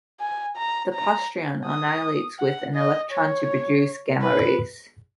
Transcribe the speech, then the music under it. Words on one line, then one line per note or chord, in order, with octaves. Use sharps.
The positron annihilates with an electron to produce gamma rays.
G#5
A#5
A#5
D#6
F#5
D#5
C#5
B4